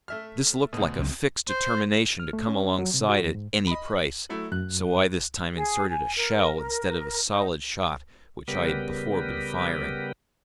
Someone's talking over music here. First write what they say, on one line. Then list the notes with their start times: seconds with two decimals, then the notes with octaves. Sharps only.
This looked like a fixed determination to come alongside at any price, so I this time inserted a shell instead of a solid shot, which I had before been firing.
0.08 A3 E5 F6
0.73 D2 B2
0.99 C#2 F#3 C4
1.49 C5
2.20 F6
2.33 A3
2.48 C#4
2.79 F#3
2.94 C3
3.09 F#4
3.20 F2
3.35 G#2
3.67 D#5 B5
3.96 F#7
4.29 F#3 A3 E4
4.52 F#2 F#6
5.55 G#4
5.88 G#5
6.16 A#4
7.29 D#4
8.48 C#3 G3 B3 G4 A#4 B4